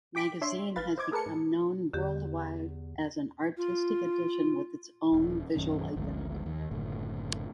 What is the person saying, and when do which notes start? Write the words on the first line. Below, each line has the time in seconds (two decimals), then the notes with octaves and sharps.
Magazine has become known worldwide as an artistic edition with its own visual identity.
0.15 G5 D6 B6 D7
0.41 D4 C#5 E5 C6
0.76 G#1 E3 B4 F5 B5 A6
0.98 C5 D#5 D6 G#6
1.11 A3 G#4 A#4 B4 A5 C#7
1.26 G#2
1.93 E2 D3 G4
3.57 F4
5.12 D#1
5.56 A#1 F#2 D#3 C#4
5.96 G#1 D2 G#2 F3
6.46 D#2
6.71 F#1 A2 D3